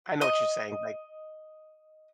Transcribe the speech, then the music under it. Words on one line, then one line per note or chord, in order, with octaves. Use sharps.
I know what you're saying, like
D#5 D#6